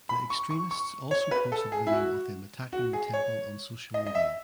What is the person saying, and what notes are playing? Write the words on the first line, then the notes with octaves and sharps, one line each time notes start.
The extremists also posted video of them attacking the temple on social media.
B5
C#6
C#6
C#6
C#5
B4
A4
G#4
E4
F#4
F#4
G#4
C#5
D#5
D#5
E5